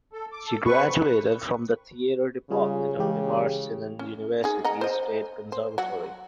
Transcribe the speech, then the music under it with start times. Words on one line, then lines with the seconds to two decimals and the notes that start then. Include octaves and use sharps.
She graduated from the Theater Department of Mimar Sinan University State Conservatory.
0.13 A4
0.32 D6
0.46 A4
0.66 C3 B4 C#6
2.51 C#3 G3 F4 G#4
2.98 E3 G#3 G4
3.99 C#4
4.44 D#4 G#4
4.64 D#5 F#5 A#5
4.81 C5 D#5
5.52 C5
5.78 F#3 F#4